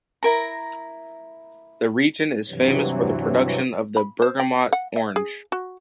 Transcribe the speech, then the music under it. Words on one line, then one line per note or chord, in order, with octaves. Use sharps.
The region is famous for the production of the Bergamot orange.
E4 A#4 A#5
G2 C3 E3 F#3
B5
C5
G5
F#5
E5
G#4
F#4